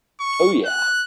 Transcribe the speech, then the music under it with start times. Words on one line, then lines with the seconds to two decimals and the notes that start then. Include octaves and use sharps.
Oh, yeah,
0.20 C#6
0.65 F#6